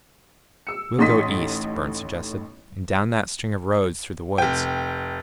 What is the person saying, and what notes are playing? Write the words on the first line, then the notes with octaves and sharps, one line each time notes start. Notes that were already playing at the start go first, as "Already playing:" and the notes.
"We'll go east," Burne suggested, "and down that string of roads through the woods."
E6 C#7
A1 A2 D#4 C6 D#6 B6
F1 G5